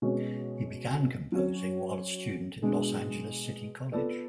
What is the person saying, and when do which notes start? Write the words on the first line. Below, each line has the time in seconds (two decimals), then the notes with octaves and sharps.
He began composing while a student at Los Angeles City College.
0.02 B2 G#3 C#4 F#4
1.32 F#3 C#4 F#4 C#5
2.62 B2 G#3 D4
3.92 B3 F4 A4 D5